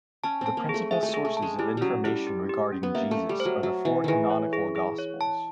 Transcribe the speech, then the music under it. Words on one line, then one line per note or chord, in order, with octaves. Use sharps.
The principal sources of information regarding Jesus are the four canonical gospels.
C#4 A5
C4 A5
A#3
G#4
A3
G#3 E5
A3
G#3
G#4
A3
A5
G#3
G3 E4
F#3 G3 C#4
G3 E4
G4
G4
C#4
B3
A#3 E5
A3
E5
G3
C5
F#3
F#3 E5
E3 E5
D#3 E3 G#4
C#5
G#4
G#4
C#5
A5